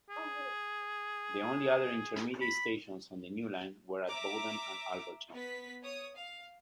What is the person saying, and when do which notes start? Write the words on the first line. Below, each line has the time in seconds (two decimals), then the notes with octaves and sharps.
The only other intermediate stations on the new line were at Bowden and Alberton.
0.10 G#4
2.41 B5
4.09 E5 A#5 D6
5.34 B3 B4 B6
5.83 C#5 D#6
6.17 F5